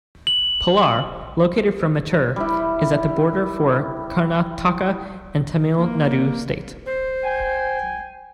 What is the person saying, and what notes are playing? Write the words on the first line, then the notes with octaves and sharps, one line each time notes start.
Palar, located from Mettur, is at the border for Karnataka and Tamil Nadu State.
F#7
G3 E4
A#3
C5
G5 G#5